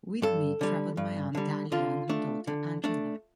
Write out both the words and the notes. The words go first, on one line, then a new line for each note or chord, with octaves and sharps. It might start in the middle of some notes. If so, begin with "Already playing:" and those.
With me travelled my Aunt Dahlia and her daughter Angela.
G2 A4
D3 G3
G2
D3 G3
D3 F4
A3 D4
D3
A3 D4